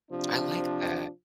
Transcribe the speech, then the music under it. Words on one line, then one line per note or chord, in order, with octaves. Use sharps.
I like that.
C3 F3 D4